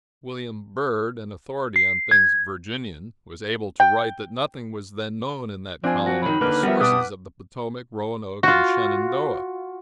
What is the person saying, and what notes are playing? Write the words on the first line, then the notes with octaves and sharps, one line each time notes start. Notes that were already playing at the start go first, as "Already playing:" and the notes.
William Byrd, an authority on things Virginian, was able to write that nothing was then known in that colony of the sources of the Potomac, Roanoke, and Shenandoah.
C7
G#6
G5
F3 C4 D4 F4 G#5
F#4
D#3 F#3 B5
D#2 D3 A#3 B4 F6 F#6
G3 B3 A#4 B4 E5
B2 D4 G4 B4 F#5 D6 D#6
F4 F#4